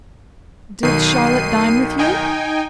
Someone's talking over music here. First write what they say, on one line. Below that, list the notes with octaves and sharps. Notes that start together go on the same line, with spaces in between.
"Did Charlotte dine with you?"
B1 D#3 C7 D#7
D#4 G5 G#5